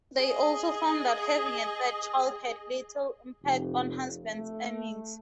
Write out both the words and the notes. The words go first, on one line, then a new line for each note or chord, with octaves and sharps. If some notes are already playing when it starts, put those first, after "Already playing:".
They also found that having a third child had little impact on husbands' earnings.
G#4 D#5
F1
A3